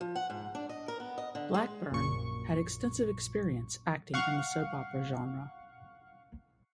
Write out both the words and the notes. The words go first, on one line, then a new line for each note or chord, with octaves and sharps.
Blackburn had extensive experience acting in the soap opera genre.
F3
F#5
G#2
D4
D#5
A#4
B3
D#5
D3
G#3
A#1 F#2 A#2 C#6
F5 F#5 C#6